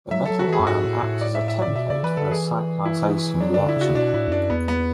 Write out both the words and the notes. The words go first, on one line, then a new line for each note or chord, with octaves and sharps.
The metal ion acts as a 'template' for the cyclization reaction.
F#3 E5
F#3 A4
F#4
E3 G#4
F#2
G#2 F#4
A2
A2
D5
E5
E5
D5
A2
B2 E5
C#3 D5
E3 B4
D3 A4
E3 G#4
E4
F#3 D4
D3 D4
E4
C#3 F#4
B2 D4
A2 E4
E2
F#2 D4
E2 B3
B3